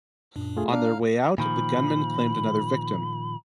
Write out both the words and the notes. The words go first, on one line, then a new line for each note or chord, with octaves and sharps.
On their way out, the gunmen claimed another victim.
F#2 A#2 D4
A3 F4 G#4
D4 F5 A#5 F6
A#2 D#3 F3 B5